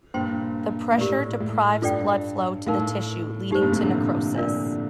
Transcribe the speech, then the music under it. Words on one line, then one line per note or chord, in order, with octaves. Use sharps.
The pressure deprives blood flow to the tissue, leading to necrosis.
G2 A#2 C5 G5 C6
A#2
A2 G4 A#4 D5
A2
G2 F4 A4 D5 G5
A2 D#4 A#4 F5
A2 D#4 G4 C5
G2 A#2
A2 C3
D3 F3
D4 F4 A#4 D5